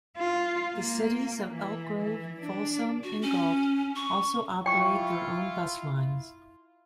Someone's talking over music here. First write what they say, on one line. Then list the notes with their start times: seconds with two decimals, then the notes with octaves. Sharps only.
The cities of Elk Grove, Folsom and Galt also operate their own bus lines.
0.17 F4
0.75 A#3
1.51 E3
2.02 E3
2.39 D4
3.03 F#4
3.22 C#4
3.96 C#6
4.66 E4 F4 G5 C#6